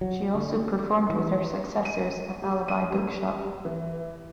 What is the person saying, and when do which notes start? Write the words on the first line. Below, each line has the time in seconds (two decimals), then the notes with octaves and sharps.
She also performed with her successors at Alibi Bookshop.
0.01 F#3
0.35 D3
1.09 E3
1.85 D#7
2.42 G4
2.68 D#7
2.90 G3
3.65 E3